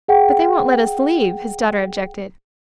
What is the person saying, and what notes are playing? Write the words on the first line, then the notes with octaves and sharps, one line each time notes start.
"But they won't let us leave," his daughter objected.
G#4 F#5 G5